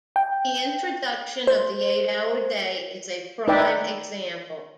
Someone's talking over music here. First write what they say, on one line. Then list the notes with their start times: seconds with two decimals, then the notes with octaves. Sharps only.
The introduction of the eight-hour day is a prime example.
0.16 G5
1.47 C5
3.48 D#4 B4 D5 E5 G5 B5